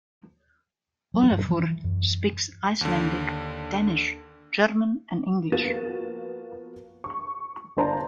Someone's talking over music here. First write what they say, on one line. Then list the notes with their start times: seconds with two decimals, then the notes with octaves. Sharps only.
Olafur speaks Icelandic, Danish, German, and English.
1.14 F#3
1.31 G2
1.49 E3
1.84 F#2
2.81 D#2 D3
5.52 F3 A#3 B3 F#4 A6 E7
7.04 C#6
7.77 G1 G2 D4 C5 A5 A#5